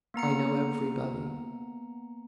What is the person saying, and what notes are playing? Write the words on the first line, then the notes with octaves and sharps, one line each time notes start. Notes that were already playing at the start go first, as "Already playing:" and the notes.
I know everybody.
A#3 B3 A#5 C#7